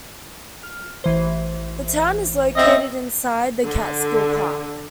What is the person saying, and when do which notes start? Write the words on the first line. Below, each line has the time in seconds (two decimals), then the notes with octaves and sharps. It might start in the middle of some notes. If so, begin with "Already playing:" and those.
The town is located inside the Catskill Park.
0.63 F6
1.04 A1 E3 C5
2.57 C4 D#5 E5
3.66 D3